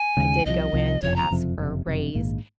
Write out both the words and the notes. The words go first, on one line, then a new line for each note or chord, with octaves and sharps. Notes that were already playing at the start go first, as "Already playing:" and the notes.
I did go in to ask for a raise,
Already playing: G#5
D#2 C#3 G#3
C2 C3 F3 D#5
C2 C3 F3
F#1 F2 C3 F3 C#5
A#5
F#1 F2 C3 F3
F#1 F2 C3
F#1 F2 C3
A#1 G#2 D#3 A#3